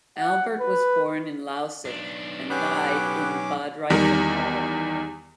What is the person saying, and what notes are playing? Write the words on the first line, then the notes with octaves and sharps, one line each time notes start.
Albert was born in Lausick and died in Bad Reichenhall.
F#5
B4
B1 D4
F#3 B3 C#4 G4 D6
E2 D#3 G3